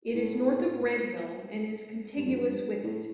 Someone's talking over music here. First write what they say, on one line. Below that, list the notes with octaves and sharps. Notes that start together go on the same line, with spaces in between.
It is north of Redhill and is contiguous with it.
A2
G2
F2
G2
A2